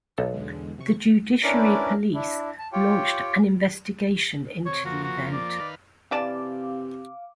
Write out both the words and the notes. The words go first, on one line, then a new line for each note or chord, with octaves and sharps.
The Judiciary Police launched an investigation into the event.
B1 A4
E2 D3 G#3
C3 C#6
C#4 D4 E4 A#4 B4 D5
D4 E4
A5
F4 G4 C#5 G5
C3 C#5
F2 F3 A#3 F#4
F#4
D5
D#3 B4 F5
C3 E3 D5 F5 A5 D6